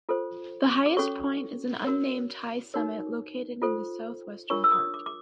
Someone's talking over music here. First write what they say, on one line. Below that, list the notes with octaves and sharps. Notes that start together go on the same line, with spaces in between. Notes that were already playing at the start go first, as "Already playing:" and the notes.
The highest point is an unnamed high summit located in the southwestern part.
F4 A4 C5
D6
C#4 F#4 A4 C#5 C#6
F#4 A#4 C#5
D#4 F#4 A#4 C#5
F4 A4 C5
D4 F4 A#4 C#5 C#6
E6
D#6
D6
D6